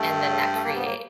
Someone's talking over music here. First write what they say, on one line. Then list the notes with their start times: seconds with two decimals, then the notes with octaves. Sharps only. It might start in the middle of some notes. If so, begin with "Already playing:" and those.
and then that create
Already playing: G2 A3
0.54 A3
0.64 A#3
0.74 B3
0.84 A#3